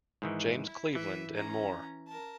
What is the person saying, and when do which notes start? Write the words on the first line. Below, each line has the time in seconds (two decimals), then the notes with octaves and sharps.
James Cleveland, and more.
0.22 G#2 D#3 E3
0.65 E4
0.95 E3 E5
1.35 C#4 A#5
2.08 A#4 A5